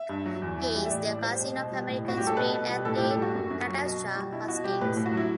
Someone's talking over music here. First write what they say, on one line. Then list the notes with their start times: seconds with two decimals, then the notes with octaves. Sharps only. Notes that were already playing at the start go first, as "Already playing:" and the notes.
He is the cousin of American sprint athlete Natasha Hastings.
Already playing: E5
0.09 G2
0.26 F#3
0.42 E2
0.58 E3
0.75 G3
0.85 E5
0.90 A2 D5
1.07 A2 D5
1.23 G3 C5
1.39 B2 C5
1.56 B2
1.72 G3
1.88 A2
2.05 A2 F#4
2.17 G3 G4
2.27 A4
2.37 B2 B4
2.53 B2
2.69 G3
2.85 A2 A4
2.97 A2 G4
3.11 A4
3.18 G3 F#4
3.35 F#2
3.51 F#2
3.67 F#3
3.83 B2
3.99 B2
4.16 G3
4.32 B2 E4
4.48 B2 F#4
4.64 G3 G4
4.81 A2 B4
4.97 A2
5.06 F#4
5.13 F#3 E4